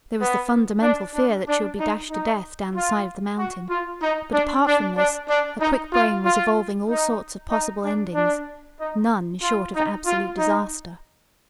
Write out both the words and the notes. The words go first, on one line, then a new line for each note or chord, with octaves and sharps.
There was the fundamental fear that she would be dashed to death down the side of the mountain, but apart from this her quick brain was evolving all sorts of possible endings--none short of absolute disaster.
B3
D4
D4
D4
D#4
D#4
F4
F#4
F4
D#4
D4
D4
D4
D4
D#4
F4
F4
D#4
D#4
D4
D4
D#4
F4
D#4
F4
D#4